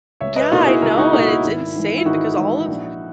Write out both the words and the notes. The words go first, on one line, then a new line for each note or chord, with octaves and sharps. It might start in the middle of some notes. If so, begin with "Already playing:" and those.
Yeah, I know, and it's insane because all of
C#2 C#5 E5
B4 D#5
B2 A#3 D#4 E4 F#4 A#4
E4 G#4
C#2 F#4 A#4
D#4 F#4
B2 A#3 D#4 E4 A#4
F#4
E4
G#1 E4
G#2 E3
E4
G#1 D#4 F#4
G#2 E3
A#1